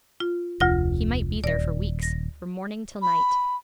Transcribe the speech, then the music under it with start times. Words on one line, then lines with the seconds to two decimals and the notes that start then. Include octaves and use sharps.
He might be there for weeks, from morning till night.
0.20 F4
0.60 F1 D2 F4 A#6
1.44 D#1 D5 A#6
2.03 A#6
3.02 B5